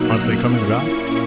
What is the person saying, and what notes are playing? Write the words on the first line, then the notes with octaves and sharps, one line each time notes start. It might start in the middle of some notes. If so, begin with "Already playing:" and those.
"Aren't they coming back?"
Already playing: B2 F#3 A#3 D#4 E6 F#6
A#2 A#3 C#4 E4 C#6